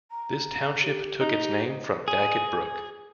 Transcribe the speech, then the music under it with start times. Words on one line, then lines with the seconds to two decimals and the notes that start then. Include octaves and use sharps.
This township took its name from Daggett Brook.
0.11 A#5
0.83 G4
1.21 D#4
1.42 G4
2.08 G#4